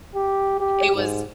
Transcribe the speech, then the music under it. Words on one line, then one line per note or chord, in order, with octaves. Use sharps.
it was
G4
G4
G#2